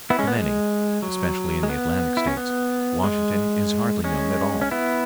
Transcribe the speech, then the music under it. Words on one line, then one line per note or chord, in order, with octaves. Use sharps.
To many, especially in the Atlantic States, Washington is hardly known at all.
B3 E4
G#3 C#4
B3
G#3
F#3
G#3
B3
E4
C#4
B3
G#3
G#3 C#4
C#4
B3 E4